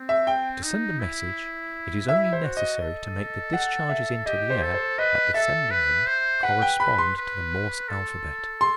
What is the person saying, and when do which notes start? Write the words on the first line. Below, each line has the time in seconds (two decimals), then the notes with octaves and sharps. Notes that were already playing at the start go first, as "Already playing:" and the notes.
To send a message it is only necessary to make the discharges into the air, at the sending-end, correspond to the Morse alphabet.
Already playing: C4
0.09 E5
0.27 G5
0.63 D#4
1.00 E4
2.08 E4 E5
2.33 C5
2.44 F#4
2.57 D#5
2.81 A4
3.53 F#5
3.89 E5
4.26 G4 D#5
4.50 C5
4.62 A4
4.74 C5
4.98 B4 D#5
5.34 A4 E5
5.71 B4
6.07 C5
6.43 B4 F#5
6.62 G5
6.80 B4 B5
6.98 C6
7.17 B4
7.89 A4
8.61 C6